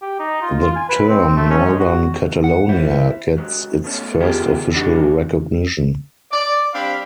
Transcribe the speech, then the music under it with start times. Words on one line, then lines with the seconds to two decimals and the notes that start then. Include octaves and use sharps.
The term Northern Catalonia gets its first official recognition.
0.02 G4
0.19 D#4
0.42 F4
0.62 F4
0.76 G#5
0.89 B4
1.09 C4
1.36 A3
1.50 C#4
1.66 G#3
1.79 F#4
2.44 F#5
2.69 E4 C5
3.38 G#2 F#3
3.84 B2 A3 C#4
4.20 D#3 B3 F4 G4 G#4 A#4
4.74 G3 D4 D#4 F#4
6.31 D5
6.74 G3 C4 D4 F5 B5